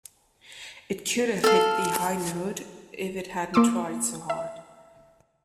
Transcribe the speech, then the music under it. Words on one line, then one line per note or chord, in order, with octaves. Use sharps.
It could have hit the high note - if it hadn't tried so hard.
A4 F5
A#3 C6 D6 E6
E5